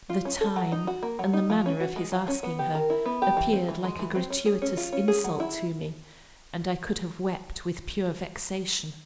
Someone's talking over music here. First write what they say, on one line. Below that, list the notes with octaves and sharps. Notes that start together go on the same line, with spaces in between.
The time and the manner of his asking her appeared like a gratuitous insult to me; and I could have wept with pure vexation.
F4
C#4
A4
F#3
D#4
F#4
A#3
F#3
D#4
F3
C#4
F#4
G#3
F3
C#4
B3
G4
A#4
E4
B3
G4
E3
C4
E3
G#3
E3
C4
C#4
G#4
C#4
F4
C#4
G#4
F#3
E4